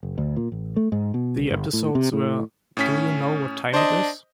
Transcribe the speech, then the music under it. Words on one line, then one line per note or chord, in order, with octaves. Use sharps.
The episodes were Do You Know What Time It Is?
F#1
D2
A#2
A1
A3
G#2
B2
C2
G1
A2
C3
A2
A2 C#4 B6
D4 C5 D#5